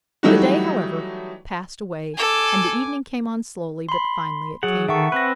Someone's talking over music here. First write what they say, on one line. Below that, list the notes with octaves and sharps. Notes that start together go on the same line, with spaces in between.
The day, however, passed away; and the evening came on slowly, but finally it came.
E3 F#3 G3 A3 D#4 F#4
A4 G#5 D6
B5 C6
F#3 G#4 F#5
D#3 A4 E5 F#5 C#6
C4 B4 F#6 A#6